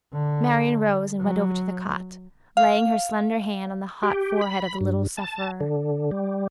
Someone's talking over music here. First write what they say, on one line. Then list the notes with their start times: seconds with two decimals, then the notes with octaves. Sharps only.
Marian rose and went over to the cot, laying her slender hand on the hot forehead of the little sufferer.
0.13 D3
1.21 F#3
2.57 F5
4.03 G4
4.41 B5
4.81 G2
5.17 A5
5.60 D3
6.11 G3